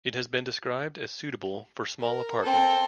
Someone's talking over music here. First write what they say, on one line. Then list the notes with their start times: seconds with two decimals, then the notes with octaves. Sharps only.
It has been described as suitable for small apartments.
2.00 A#4
2.42 C4 A4